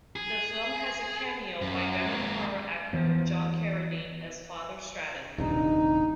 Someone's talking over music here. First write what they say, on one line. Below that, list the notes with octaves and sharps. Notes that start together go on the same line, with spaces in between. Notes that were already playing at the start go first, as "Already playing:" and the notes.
The film has a cameo by veteran horror actor John Carradine as Father Stratten.
G#4
F#2
G#3 A#3
E3 B3
D#1 C2 G2 D#4